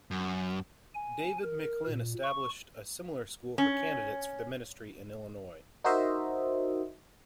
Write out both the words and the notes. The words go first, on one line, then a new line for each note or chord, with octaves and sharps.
David McLin established a similar school for candidates for the ministry in Illinois.
F#2
G#5
A#4
A#2
C#6
C#4
D#4 F#4 A#4 C5 D#5 E5